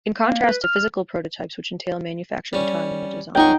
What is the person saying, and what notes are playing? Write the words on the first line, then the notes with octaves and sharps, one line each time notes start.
In contrast to physical prototypes, which entail manufacturing time in the design.
A#3
B4
F6
G3 C#4
C#2 D#4 G#4 G5 C#6